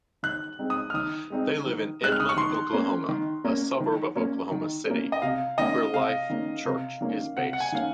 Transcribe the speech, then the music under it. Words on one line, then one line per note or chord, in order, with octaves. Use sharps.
They live in Edmond, Oklahoma, a suburb of Oklahoma City, where Life.Church is based.
D#3 F#6
G#3 C4 D#4
D#6
F6
D#3 D#6
G#3 C4 D#4
D#3
G#3 C4 D#4 F#6
F6
D#6
C#6
D#3 C6
A#3 C#4
D#3
A#3 C#4
D#3
A#3 C#4
D#3
A#3 C#4
D#5
C3 F5
D#3 A#3 C#4 D#5
C3 F5
D#3 A#3 C#4
C3
D#3 A#3 C#4
C3 F#5
F#5
G#5
D#3 A#3 C#4 F5